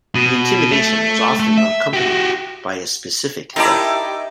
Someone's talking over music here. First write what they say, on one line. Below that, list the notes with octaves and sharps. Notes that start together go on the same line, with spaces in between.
The intimidation was often accompanied by a specific threat.
B2
A3
A3
E5
F#4 G4
D#4 E4 G4 A#4 D5 G5 A5 A#5